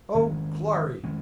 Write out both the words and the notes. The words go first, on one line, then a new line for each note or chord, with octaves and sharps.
Oh, glory!
D#3 G#3 C#4
D#3 G#3 C#4